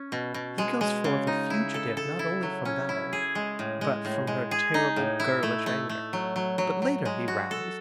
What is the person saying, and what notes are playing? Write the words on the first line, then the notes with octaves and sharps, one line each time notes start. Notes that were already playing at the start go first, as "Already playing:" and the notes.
He goes forth a fugitive not only from battle, but from her terrible girlish anger. But later he rallies.
Already playing: C#4
B2
B2
G#3
G#3
C#3
D#4
E4
A4
A4
E4
F#3
C#4
E4
G#4
G#3
A2
G#3
A2
G#3
G#4
D#4
A2
E4
A3
A3
A3
F#3
F#3
F#3
F#3
G#3
F#4
A4